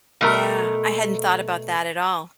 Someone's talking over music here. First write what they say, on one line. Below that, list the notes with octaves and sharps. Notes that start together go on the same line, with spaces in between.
Yeah, I hadn't thought about that at all,
B2 A3 A#4